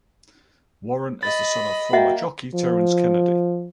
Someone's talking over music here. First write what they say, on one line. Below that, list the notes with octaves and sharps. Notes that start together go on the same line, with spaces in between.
Warren is the son of former jockey Terrence Kennedy.
D#5 B5 A6
A#3 F#4 D#5 E5 F#5 G5
F3